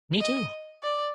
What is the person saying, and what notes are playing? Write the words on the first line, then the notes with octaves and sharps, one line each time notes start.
Me too!
D#5
D5